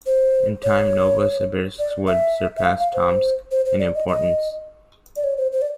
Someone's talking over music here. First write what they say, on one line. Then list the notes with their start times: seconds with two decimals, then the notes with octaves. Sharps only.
In time, Novosibirsk would surpass Tomsk in importance.
0.06 C5
0.63 C#5
1.79 D5
2.07 E5
2.57 E5
2.65 F5
2.79 F5
2.94 C5
3.51 C5
3.65 C5
3.79 D5
3.95 D#5
4.08 D#5
5.16 D5
5.24 C#5
5.37 C5
5.52 C5
5.62 D5